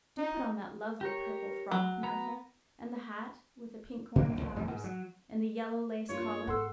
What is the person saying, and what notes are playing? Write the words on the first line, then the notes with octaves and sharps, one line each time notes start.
Do put on that lovely purple frock, Martha, and the hat with the pink cornflowers, and the yellow-lace collar.
D#4
G4 A#4 C#5
F#3
B3 A#5
A#2 D3 F#3 D4
F#1
A#1
E1 G#2 C3 G3
G#2
F#3
G2 A#3 F4 C#5
G#2 A4 F#5 C6 E6